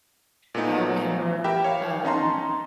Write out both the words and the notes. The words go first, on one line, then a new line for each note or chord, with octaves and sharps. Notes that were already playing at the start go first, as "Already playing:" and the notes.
However, um,
A#2 A3 B3 D#4
G4 A#4 E5 G5 B5
C#5 F5
C#4 D#4 A5 A#5 C6